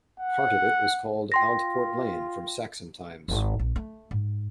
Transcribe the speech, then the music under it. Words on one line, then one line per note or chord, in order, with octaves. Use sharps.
Part of it was called Aldport Lane from Saxon times.
F#5
F4 G5 C6 A#6
G#1
A#1
A3
G#2